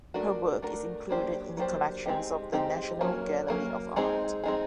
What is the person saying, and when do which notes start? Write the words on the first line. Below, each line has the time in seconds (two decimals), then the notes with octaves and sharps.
Her work is included in the collections of the National Gallery of Art.
0.14 A3 D4 F#4 A#4
0.62 A3 D4 F#4 A#4
1.09 F#3 A#3 D4 G4 C5
1.57 F#3 A#3 D4 G4 C5
2.06 G#3 C4 D#4 G4
2.53 G#3 C4 D#4 G4
3.01 F#3 A#3 C#4
3.48 F#3 A#3 C#4
3.96 G#3 C4 D#4 G#4
4.44 G#3 C4 D#4 G#4